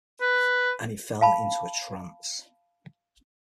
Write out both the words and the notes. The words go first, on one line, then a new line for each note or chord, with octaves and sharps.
And he fell into a trance.
B4
F5 A5 B5